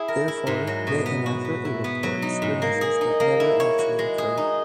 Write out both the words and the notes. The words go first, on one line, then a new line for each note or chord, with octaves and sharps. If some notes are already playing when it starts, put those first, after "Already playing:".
Therefore, they inaccurately report experiences that never actually occurred.
Already playing: E4 G#4
A#4
E4
G#2
F#3
B2
B3
F#4
B3
E4
B3
F#3
D#4
G#2
A#3
G#4
D#4
A#3
E4
C#5
F#4
G#3
G#4
D#4